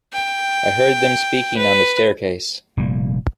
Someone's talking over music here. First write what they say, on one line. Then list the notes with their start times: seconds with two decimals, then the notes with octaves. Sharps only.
I heard them speaking on the staircase.
0.13 G5
1.57 B4
2.77 F1 A#2 G3 A#3